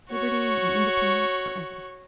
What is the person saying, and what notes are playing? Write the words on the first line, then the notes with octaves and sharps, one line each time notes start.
Liberty and Independence for Ever!
F#4 C#5